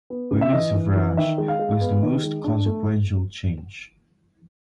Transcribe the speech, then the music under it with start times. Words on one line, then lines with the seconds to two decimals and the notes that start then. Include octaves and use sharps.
Women's suffrage was the most consequential change.
0.10 B3
0.31 C#3
0.41 E5
0.53 E3 D#5
0.74 E3
0.96 E3
1.17 D#3 E5
1.38 G#3
1.48 F5
1.59 G#3
1.81 B3
2.02 D#3
2.24 G#3
2.44 D4
2.66 A3